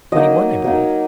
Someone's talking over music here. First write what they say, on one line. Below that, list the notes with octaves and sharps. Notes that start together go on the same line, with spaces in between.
"Twenty-one, I believe."
F#3 A#3 D#4 D#5
F#3 A#3 D#4